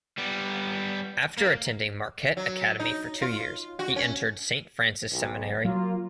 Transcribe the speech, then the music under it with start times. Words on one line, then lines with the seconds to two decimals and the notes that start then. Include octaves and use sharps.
After attending Marquette Academy for two years, he entered Saint Francis Seminary.
0.18 G3 B3
1.38 A#3
2.37 F#3
2.80 D#4
3.22 F4
3.79 F#4
3.96 C#4
5.12 B1
5.65 F#3 A#3 F4